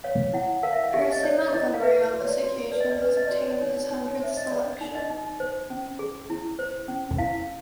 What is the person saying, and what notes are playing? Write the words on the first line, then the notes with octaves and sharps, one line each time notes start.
Percy Montgomery, on this occasion, has obtained his hundredth selection.
C#5 F5
E4 F#5
A#4 F5
E5
F5
G4 E5
D#5
C#5 D5
E4 D#5
F5
B4 E5
F#4
C#5
D5
F#4
B4 D5
D#5
D5
B4
D#5
F#4 D5
C#5
D5
D#4 C#5
D#4
C#5
C5 E5
D#5
G#4 D5
D#4
D#5
D#4
C5
C#4
G#4
E4
C5
C#4
E4 F5